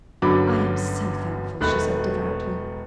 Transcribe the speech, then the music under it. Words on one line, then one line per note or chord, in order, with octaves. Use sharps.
"I am so thankful," she said devoutly.
G1 F#2 D3 F#3 B5 D6
E1 D#3 A3 B5 F#6